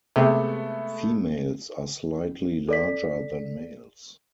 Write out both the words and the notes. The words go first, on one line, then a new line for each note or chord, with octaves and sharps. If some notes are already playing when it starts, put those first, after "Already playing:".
Females are slightly larger than males.
C3 G#3 A3 B3
A4 D5 B6